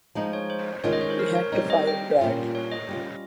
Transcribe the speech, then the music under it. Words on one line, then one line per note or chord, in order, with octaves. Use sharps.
We had to fire Brad.
F3 G#3 D#4 C5
C#5
C5
D#3 G#3 C#4 F4 C#5
D#5
C#5
C5
A#4
C#5
G3 C4 D#4 C#5
D#5
G5
A#2 G3 C#4 F4
C#5
D#5
G3 C#4 F4